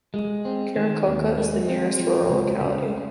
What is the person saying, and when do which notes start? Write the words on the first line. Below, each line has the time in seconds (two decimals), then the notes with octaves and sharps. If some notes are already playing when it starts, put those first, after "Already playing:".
Karakulka is the nearest rural locality.
0.14 G#3
0.45 C4
0.76 D#3
1.07 D#2
1.37 G#3
1.68 C4
1.99 F3
2.30 C#2
2.60 C#3